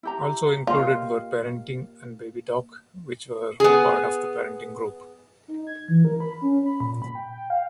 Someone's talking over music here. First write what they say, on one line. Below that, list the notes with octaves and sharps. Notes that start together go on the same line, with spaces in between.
Also included were "Parenting" and "Babytalk", which were part of the Parenting Group.
E4 G4 A#5
A#3 F4 G4 D#5 F5
B3 G#4
D#4
G#6
E3
A#4
B5
C#4
B5
A#2
B5
G5
G5
F5